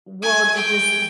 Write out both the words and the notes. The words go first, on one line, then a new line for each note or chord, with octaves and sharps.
Well, to just
G#5
G5